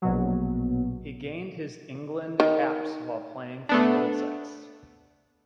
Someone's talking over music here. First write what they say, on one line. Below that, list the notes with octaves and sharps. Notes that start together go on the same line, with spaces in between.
He gained his England caps while playing for Middlesex.
A#1 B2 F#3
D#3
A3 B3 D4